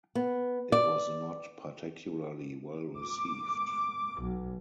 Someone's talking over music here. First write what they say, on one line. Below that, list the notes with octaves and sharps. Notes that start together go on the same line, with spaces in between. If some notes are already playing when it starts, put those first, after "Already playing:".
It was not particularly well received.
B3
D5
D6
B1